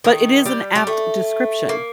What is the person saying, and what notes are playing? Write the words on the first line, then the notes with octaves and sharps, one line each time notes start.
but it is an apt description,
D#3
G3
G3
A3
A#3